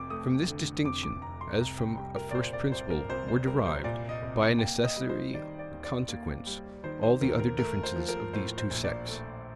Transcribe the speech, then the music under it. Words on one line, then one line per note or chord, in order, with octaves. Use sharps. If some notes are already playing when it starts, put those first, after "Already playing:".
From this distinction, as from a first principle, were derived, by a necessary consequence, all the other differences of these two sects.
Already playing: F1 F2 D6
A3 D#6
D3
F2 D6
D6
F1 A#5
C6
C2 A#5
G5
G3 G5
A#4
D5
A#2 C5
D5
C2 C5
A#4
C2 C5
C5
G3 A#4
C5
A#2 D5
D#5
C2
A#3 G5
D#5
G3
C5
D#3 D5
D5
D#2
D5
A#3
G3
D#3 C5
C5
D#2 A#4
A#4
A3 A#4
C5
F3
A#4
A2 C5
C5
A#1
D5
A3